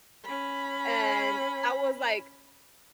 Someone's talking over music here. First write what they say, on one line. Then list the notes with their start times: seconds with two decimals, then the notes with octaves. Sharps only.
and I was, like,
0.24 C#4 B5